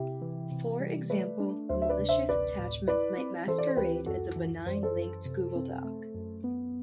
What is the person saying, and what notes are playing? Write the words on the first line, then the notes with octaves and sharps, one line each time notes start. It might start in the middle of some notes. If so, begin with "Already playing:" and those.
For example, a malicious attachment might masquerade as a benign linked Google doc.
Already playing: C3 E4 G4
E3
C3
G3
A3 B4 D5
D4
D2 C5 E5
E5
B4 D5
C3
C5 E5
A1 B4 D5
A2
E4 B4 D5
C4
E3 A4 C5
D5
C5
D2 G4 B4
F#2 F#4 A4
E3
F#2 C5
D5
A4 C5
F#2
C3
C4
A3
F#2
B3